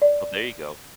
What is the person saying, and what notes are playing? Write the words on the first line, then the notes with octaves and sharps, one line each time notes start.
Oh, there you go.
D5